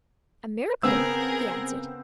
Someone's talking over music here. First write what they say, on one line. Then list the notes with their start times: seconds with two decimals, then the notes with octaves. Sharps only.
"A miracle," he answered.
0.83 C#3 B3 C4 G#4 A#4 E6